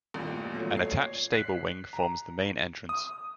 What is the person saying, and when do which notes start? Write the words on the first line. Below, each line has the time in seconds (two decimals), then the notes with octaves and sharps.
An attached stable wing forms the main entrance.
0.14 A1 E2 G2 A#2
0.54 A#2 F#3 A3
0.77 C#5 C7
1.32 F#6 B6 C7
1.93 A#5
2.89 D#6